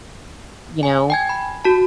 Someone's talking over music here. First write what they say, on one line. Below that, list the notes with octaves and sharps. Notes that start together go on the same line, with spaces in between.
you know,
G#5
G5 G#5 G#6
B5
F#4 A5